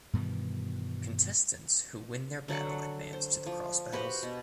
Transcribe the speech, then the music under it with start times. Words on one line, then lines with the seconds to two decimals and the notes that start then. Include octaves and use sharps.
Contestants who win their battle advance to the Cross battles.
0.13 G2 B2 D#3 E3
2.48 D3 F#3 A4 F#5
3.13 C5
3.46 F3
3.93 F#4 G4 B4 C5
4.23 B2